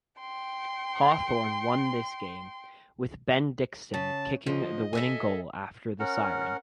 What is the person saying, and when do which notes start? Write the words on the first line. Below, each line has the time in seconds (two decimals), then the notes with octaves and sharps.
Hawthorn won this game, with Ben Dixon kicking the winning goal after the siren.
0.20 G5 C6
3.94 C#3 A5
4.46 D3 F3 D#5
4.93 A4 E5 G#5
6.00 C#4 A#4 F#5